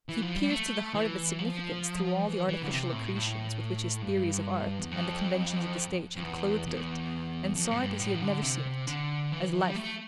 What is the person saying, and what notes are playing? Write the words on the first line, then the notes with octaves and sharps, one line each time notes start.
He pierced to the heart of its significance through all the artificial accretions with which his theories of art and the conventions of the stage had clothed it, and saw it as he had never seen it: as life.
E3
F3
G3
A3
E3
F3
E3
E3
D3
C3
A2
A2
G2
E2
F2
F2
E2
E2
F2
A2
G2
A2
E3
D3
C3
D3
E3
E3
F3
G3
A3